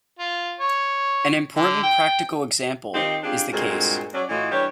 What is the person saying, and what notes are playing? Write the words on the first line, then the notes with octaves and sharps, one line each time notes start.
An important practical example is the case.
F4
C#5
D3
G5
D#3 C4 D#4 F4 G4 C5
C4 D4 F4 G4 G#4
G2 A#2 G#3 C4 F#4 A4
F#3 C#4 D5
A2 E3 A3 F4 F#4 D#5
E3 G3 D4 C#5